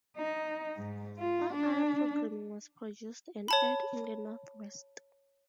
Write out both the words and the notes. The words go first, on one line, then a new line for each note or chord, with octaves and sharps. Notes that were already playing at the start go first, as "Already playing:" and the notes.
All other programming was produced and aired in the North West.
D#4
G#2
F4
D4
C#5 A5 B5